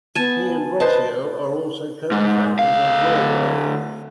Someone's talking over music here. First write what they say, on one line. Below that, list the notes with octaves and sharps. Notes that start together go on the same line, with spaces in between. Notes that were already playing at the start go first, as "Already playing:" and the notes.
He and Rossio are also co-founders of Wordplay.
B3 G#5 A5
B4 C5 D#5 A5
G#2
D2 F5